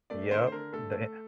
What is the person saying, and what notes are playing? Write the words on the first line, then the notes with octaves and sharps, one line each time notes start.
Yep, the i
A3 D5
D3 C5
C5
D3 A#4
A3 A4
A3